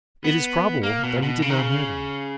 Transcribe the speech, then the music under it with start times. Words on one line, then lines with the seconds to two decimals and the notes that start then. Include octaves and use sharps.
It is probable that he did not hear them.
0.24 B3
0.83 A#3
1.03 B2
1.16 A#2
1.22 B2
1.42 C#3
1.50 D#3
1.58 C#3